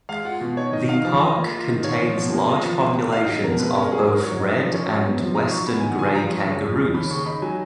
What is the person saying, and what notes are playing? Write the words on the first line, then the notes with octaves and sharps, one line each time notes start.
The park contains large populations of both red and western grey kangaroos.
G#3 F5
F4 F#5
B2
D#4 C#5
D#3 D#5
D#4 F5
F3
F4 D#5
A#3
F4
D#3
F4 C#5
F3
B2
A#3
F4 D#5
F3
B2
A#3
D#4 F5
F#3 D#5
B2 A#4
G#3 B4
C#4 A#4
F#3 G#4
G#2 A#4
F#3 C#5
D#4
F3
C#4
F#3
B3
F3
D#4 A#5
F#3 C#6
B3 B5
G#5
D#3
F#5
C#3 G#5
F3 A#5
C#4
C#3
F2
D#3
D#2 B5
C#3 C#6
D#4 B5
F#3 G#5